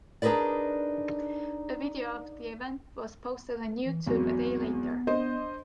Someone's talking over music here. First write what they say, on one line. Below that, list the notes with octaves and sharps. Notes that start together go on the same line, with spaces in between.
A video of the event was posted on YouTube a day later.
D4 D#4 G#4 A#4 B4 D5
E3
G#1 E2 F#3 B3
B3
D4 C5 D#5